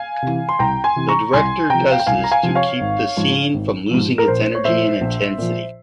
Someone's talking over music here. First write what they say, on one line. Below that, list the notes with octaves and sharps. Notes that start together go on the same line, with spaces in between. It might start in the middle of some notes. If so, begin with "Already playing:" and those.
The director does this to keep the scene from losing its energy and intensity.
Already playing: F5 G#5
C3 E3
C6
C2 G5 A#5
G#5 C6
C3 E3
A#5 C#6
C2 G#5 C6
C3 F3 G5 A#5
F5
G5
C2 F5 G#5
A#5
F5 G#5
C3 F3
C#5 F5
G#1
G#2 F3
G#1
G#2 F3
A#4
A#1 C5
C#5
A#2 F3 C5 E5
A#1
A#2 F3